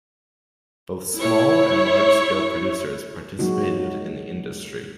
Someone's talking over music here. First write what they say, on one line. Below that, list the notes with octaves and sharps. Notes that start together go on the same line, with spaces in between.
Both small- and large-scale producers participated in the industry.
E4 C#5
F#3 G#3 A#3 D#4 F#4